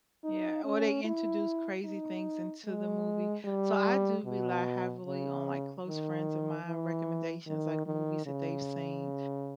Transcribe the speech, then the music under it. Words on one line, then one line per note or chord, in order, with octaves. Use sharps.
Yeah, or they introduce crazy things into the movie so I do rely heavily on my close friends of mine recommendations, like movies that they've seen.
D#4
C#4
E4
D#4
G#3
G3
B2
C#3
D#3
E3
D#3
D#3
C#3